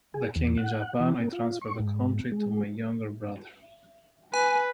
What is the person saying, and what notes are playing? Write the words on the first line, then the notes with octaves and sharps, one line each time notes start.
The king in Japan I transfer the country to my younger brother.
G#4
E2
F#5
E3
A#3
F4
C#6
G#2
G#3
B4 G#5